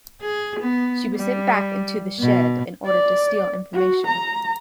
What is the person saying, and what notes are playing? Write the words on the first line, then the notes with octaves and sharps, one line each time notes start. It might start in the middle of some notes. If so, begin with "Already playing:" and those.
She was sent back into The Shed in order to steal information.
G#4
B3
G3
B2
D5
F#4
A#5